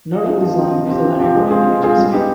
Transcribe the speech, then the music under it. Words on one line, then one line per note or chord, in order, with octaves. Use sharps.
Nurul Islam is the Director of the agency.
F3
C4 D#4
F3
C4 D#4
C3
F3 C4 G4
C3
F3 C4 G4
G#3
C4 F4 G#4
G#3
C4 F4 G#4
G3
B3 D#4 G4